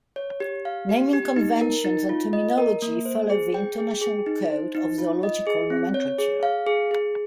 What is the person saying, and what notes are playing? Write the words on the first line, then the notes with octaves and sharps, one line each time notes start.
Naming conventions and terminology follow the International Code of Zoological Nomenclature.
C#5
G4
F5
G4
G4
D#4
A#4
D#4
F4
D#5
A#4
A#3
C5
G#4
G5
G#4
G#4
D#4
C5
D#4
F4
D#5
G#4
C4
C#5
G#4
F5
G#4
G#4